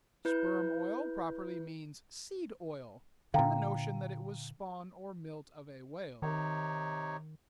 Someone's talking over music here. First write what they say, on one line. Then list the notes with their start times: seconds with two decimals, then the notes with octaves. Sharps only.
Sperm oil properly means "seed oil," from the notion that it was spawn or milt of a whale.
0.25 E4 B4 G6
3.34 A#2 D3 F5 G5 A#5
6.22 C3 D#3 D#4 C#5